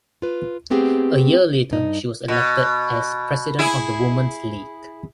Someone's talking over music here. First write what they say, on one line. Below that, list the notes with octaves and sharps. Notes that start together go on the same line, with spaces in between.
A year later she was elected as President of the Women's League.
F4 B4
A3 B3 C4 G4 G#4
G2 D#4
B2
E4 G#4